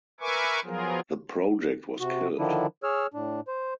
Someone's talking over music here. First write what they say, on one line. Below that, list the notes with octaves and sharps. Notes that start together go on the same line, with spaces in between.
The project was killed.
A#4 B4 E5 G#5 C#6 D6
F3 F#3 B3 F4 G#4 A#4
C3 F#4
D3 D#3 F3 D4 E4
G#4 C#5 E6 F6
A2 D4
C5